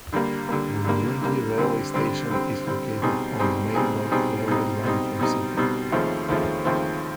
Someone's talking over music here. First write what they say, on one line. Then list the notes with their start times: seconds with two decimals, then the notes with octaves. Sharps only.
Murrurundi railway station is located on the Main North railway line, from Sydney.
0.13 D3 G3 A#3
0.49 D3 G3 A#3
0.85 D3 G3 A#3
1.22 D3 G3 A#3
1.58 D3 G3 C4
1.94 D3 G3 C4
2.30 D3 G3 C4
2.67 D3 G3 C4
3.02 B2 G3 C4 D#4 G#4
3.39 B2 G3 C4 D#4 G#4
3.75 B2 G3 C4 D#4 G#4
4.11 B2 G3 C4 D#4 G#4
4.48 B2 G3 C4 D#4
4.83 B2 G3 C4 D#4
5.19 B2 G3 C4 D#4
5.57 B2 G3 C4 D#4
5.92 D#2 C#3 F3 A3 C4
6.29 D#2 C#3 F3 A3 C4
6.65 D#2 C#3 F3 A3 C4